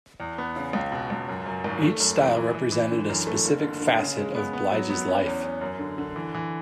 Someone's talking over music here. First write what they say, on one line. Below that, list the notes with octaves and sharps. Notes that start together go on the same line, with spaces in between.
Each style represented a specific facet of Blige's life.
E2
B3
C#3
C#2
B2
C#2
F#2
F#2
G#1
A3
F#2
E3
E3
E3
E3
D3
F#2
A3
F#1
D3
D3
C#3
G#3
B3
B3
F#3
B3
C#4
E2
C#4
F#2
D3
D3
E3
E3